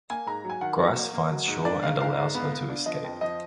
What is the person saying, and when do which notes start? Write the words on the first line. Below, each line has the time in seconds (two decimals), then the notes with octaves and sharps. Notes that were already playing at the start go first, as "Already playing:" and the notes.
Grice finds Shaw and allows her to escape.
0.10 A#3 G#5
0.27 G#2 A#5
0.45 F#3 G#5
0.61 D#3 F#5
0.79 F#3
0.96 A#3
1.14 A#3
1.31 F#3
1.48 G#2
1.65 D4 D5
1.83 G#2 F5
2.00 G#2 F5
2.17 G#2
2.35 B3
2.52 B3
2.69 D4
2.86 F3 D#5
3.04 F2
3.21 F3 D#5